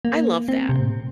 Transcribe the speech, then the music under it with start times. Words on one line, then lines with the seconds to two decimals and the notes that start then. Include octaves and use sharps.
I love that
0.05 A#3
0.48 C4
0.69 C3
0.80 A2